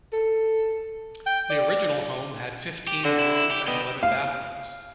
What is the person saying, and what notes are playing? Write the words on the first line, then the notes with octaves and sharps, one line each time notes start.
The original home had fifteen rooms and eleven bathrooms.
A4
G5
D5
G4
D3 F#4
E4
G4
B3 D#5 G5
F5